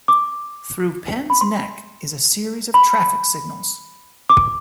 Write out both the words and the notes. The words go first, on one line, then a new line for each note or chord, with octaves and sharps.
Through Penns Neck is a series of traffic signals.
D6
B5
C6
B5
D6